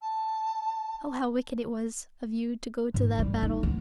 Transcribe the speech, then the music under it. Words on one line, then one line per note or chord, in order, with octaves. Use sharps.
Oh! how wicked it was of you to go to that battle!
A5
G#2
G3
D#4
D2